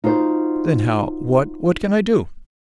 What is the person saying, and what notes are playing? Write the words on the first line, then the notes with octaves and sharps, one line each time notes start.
"Then how--what--what can I do!"
D#4 F4 F#4 C5